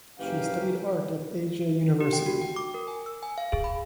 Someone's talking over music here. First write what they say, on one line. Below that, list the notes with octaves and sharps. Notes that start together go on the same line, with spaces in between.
She studied art at Ege University.
F#1 E3 A#3 C#4 G4 F5
G4
G5
F#4
G5
D6
A#4
G#5
E6
G#5
F5
G#4
B5